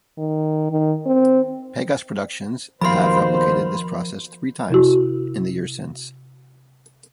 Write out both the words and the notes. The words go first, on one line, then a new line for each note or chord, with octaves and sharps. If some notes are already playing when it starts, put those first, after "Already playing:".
Pegas Productions have replicated this process three times in the years since.
D#3
D#3
C4
D#2 B2 F3 A#4 C5 F5 B5 C6
C3 E4 F#4